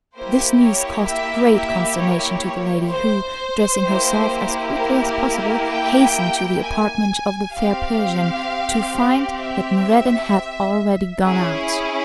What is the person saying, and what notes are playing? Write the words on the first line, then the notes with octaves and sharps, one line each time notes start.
This news caused great consternation to the lady, who, dressing herself as quickly as possible, hastened to the apartment of the fair Persian, to find that Noureddin had already gone out.
A#3 E4 G4 C5
C#5
E5
E5
C#5
C5
A#3 E4 G4
A#4
G5
G#5
C4 G4 F5
E5
C#4 E4 G#4